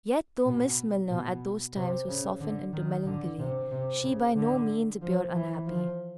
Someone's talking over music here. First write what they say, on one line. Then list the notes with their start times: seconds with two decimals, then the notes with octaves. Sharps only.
Yet though Miss Milner at those times was softened into melancholy, she by no means appeared unhappy.
0.45 B2
1.10 B2
1.75 C3
2.08 C#3
2.41 D3
2.73 D#3
3.06 D3
3.39 C3
3.71 C3
4.04 C#3
4.36 D3
5.02 F3
5.34 E3
5.67 F3